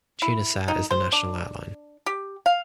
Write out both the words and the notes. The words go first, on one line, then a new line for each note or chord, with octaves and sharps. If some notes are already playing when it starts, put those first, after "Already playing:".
Tunisair is the national airline.
E4
D#4
C5
D4
G4
F5